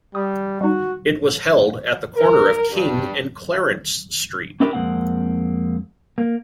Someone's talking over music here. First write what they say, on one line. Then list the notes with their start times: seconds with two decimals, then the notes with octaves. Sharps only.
It was held at the corner of King and Clarence Street.
0.15 G3 D#6
0.61 G3 D#4 F#4
2.16 A#4
2.70 G2
4.60 C#4 D4 E4 G4 A#4 B4
4.73 F2 E3 G#3 A#3 C4 F#5
6.18 A#3